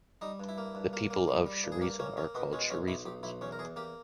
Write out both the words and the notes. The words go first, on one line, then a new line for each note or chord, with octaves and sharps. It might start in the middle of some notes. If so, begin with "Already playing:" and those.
The people of Cerizay are called Cerizians.
G3 D#4
G2
E4
A#3
G2
A#3
A#3
G3
G3
G2
G#4
A#3 G4
A#3 C#4
A#3 C#4
B2 B3
G#3 C#4
B1 C#4
B1 E4
B1 G4
B1 E4
E2 C#4
A#4
E2 G#4
A#3 G4